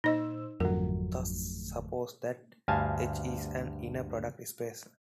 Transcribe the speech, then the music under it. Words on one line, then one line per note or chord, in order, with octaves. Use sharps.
Thus suppose that "H" is an inner-product space.
A#2 D#4 C5 D#5 E6
G#1 F2 D3 F#3 A3 A#4
D2 G2 F5 G#5 A5